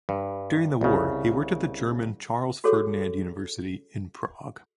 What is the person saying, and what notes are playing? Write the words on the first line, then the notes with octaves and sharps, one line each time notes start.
During the War, he worked at the German Charles-Ferdinand University in Prague.
G2
C2 C#3
F#4 G#4 A4 C#5